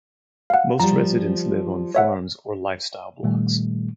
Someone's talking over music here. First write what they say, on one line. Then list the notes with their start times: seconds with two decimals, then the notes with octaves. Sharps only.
Most residents live on farms or lifestyle blocks.
0.50 F5 F#5
0.80 F3 G3 A#5
1.95 C#5 E5 F#5
3.23 A#2 D#3 G3 A3